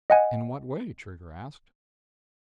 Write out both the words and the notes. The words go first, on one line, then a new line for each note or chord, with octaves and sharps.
"In what way?" Trigger asked.
D#5 F#5 G#5